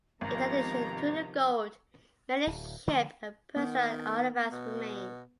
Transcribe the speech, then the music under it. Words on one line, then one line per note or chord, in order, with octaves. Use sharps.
In addition to the gold, many ship and personal artifacts remain.
G#1 C3 D#3 F3 B3 A#5
D1
D3 F3 G#3 A#3
D#3 B3
B2